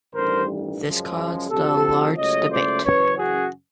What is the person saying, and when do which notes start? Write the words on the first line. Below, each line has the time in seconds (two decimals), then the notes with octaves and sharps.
This caused a large debate.
0.14 A1 G2 D#3 G3 A#4 C5
0.82 F#2 C#3 F3 G#3
1.49 D2 C3 F3 G4 A4
2.16 C#2 C#3 F#3 A3 C#5 D#5
2.50 C5 D5
2.84 F#2 C#3 E3 B4 C#5
3.17 F#4 G#4